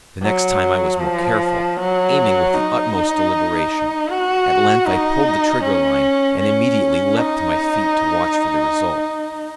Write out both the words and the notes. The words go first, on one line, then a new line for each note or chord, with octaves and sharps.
The next time I was more careful, aiming with the utmost deliberation. At length I pulled the trigger-line, and immediately leapt to my feet to watch for the result.
F#3
F3
F#3
D#4
F#4
D#4
C#4
C#4
D#4